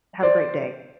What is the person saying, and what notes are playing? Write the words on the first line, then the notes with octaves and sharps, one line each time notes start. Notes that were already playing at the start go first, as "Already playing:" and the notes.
have a great day.
C5 D5